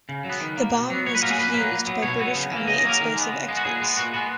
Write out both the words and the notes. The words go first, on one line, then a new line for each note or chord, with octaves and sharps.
The bomb was defused by British Army explosive experts.
C#3
F#3
B3
D#3
A#3
B2
F#3 B3
A#2 C#5
B4
F#3 A#3 A#4
G#4
A#2 B4
A#3
F#3
A#2
F#3 B3
B2 C#5
F#3 B3
C#3
E3 A#3
C#3 D#5
D#5
F#3 A#3 A#4
D#3
G#3 B3
C#3
G#3 B3
F#4
A#2 G#4
G#3 B3
A#2 F#4
G#3 B3 F#4